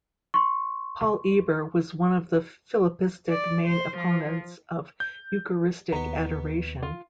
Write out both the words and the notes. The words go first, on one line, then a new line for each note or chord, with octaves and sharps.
Paul Eber was one of the Philippistic main opponents of eucharistic adoration.
C6 C#6
D5
C5
F3
G6
D#2 B2 B3 A#5
F4